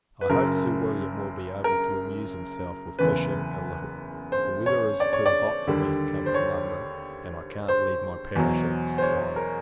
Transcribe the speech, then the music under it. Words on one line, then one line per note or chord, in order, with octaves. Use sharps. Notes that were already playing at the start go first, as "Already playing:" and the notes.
I hope, Sir William will be able to amuse himself with fishing a little. The weather is too hot for me to come to London, and I can't leave my parish at this time.
B4
F#1 F#2 C#3 A#4
A#4
F#1 E2 C#3 B4
C5
C#5
D5
C#5
D5
D#2 D3 G3
C5
C#5
C5
E2 B2 F#3
C5
C#5
A#4